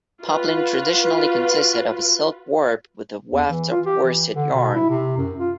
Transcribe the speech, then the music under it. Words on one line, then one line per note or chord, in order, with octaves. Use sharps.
Poplin traditionally consisted of a silk warp with a weft of worsted yarn.
F4 F#4 B4
E2
E3
F4
G4
E3
D3
B2
E4
C3
F#2
F4